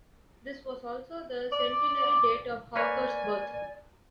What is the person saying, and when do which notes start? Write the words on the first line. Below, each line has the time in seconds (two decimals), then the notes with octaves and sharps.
This was also the centenary date of Hawker's birth.
1.52 D5
2.76 A#3 B4 C#5 D5 G#5